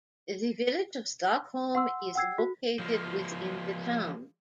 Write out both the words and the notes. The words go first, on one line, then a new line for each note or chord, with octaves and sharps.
The Village of Stockholm is located within the town.
F#5 C6 E6
F#5 G5 E6 G#6 C7
F#4
F3 G#3